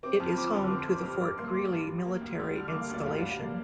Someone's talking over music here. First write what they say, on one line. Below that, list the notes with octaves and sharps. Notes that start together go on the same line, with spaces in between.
It is home to the Fort Greely military installation.
C4 D6
F2 F6
F3 D6
D3 F6
D6
C4
C6
F2 D6
D6
G2 F6
G2 D6
A#3 C6
G3 D6
G2
G2
A#3
D2
G3
D3 F6
D6
A#3
F5
D2 D5
G2 F5
D5
G2
F5
A#3 D5